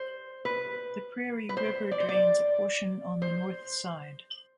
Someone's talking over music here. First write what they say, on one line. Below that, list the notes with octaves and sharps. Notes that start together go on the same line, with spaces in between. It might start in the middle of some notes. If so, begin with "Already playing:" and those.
The Prairie River drains a portion on the north side.
Already playing: C5
B4
B4
C5
D5
C5
D5
C5